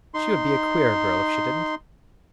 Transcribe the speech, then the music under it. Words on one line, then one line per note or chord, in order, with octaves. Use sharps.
"She would be a queer girl if she didn't."
D#4 C6